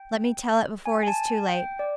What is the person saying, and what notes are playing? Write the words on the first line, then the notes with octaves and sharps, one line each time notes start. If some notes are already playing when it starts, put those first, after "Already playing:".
Let me tell it before it is too late!
Already playing: G5
G#5
G#5
A5
G5
D5